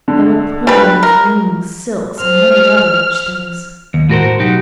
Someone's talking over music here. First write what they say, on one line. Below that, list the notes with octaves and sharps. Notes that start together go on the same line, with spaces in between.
There were pearls, rings, silks, and many other rich things.
D3
G3 B4
A#4
C4 F6
D#2
A2 F#4 A#4 C5
B1 D#4 F#4 G4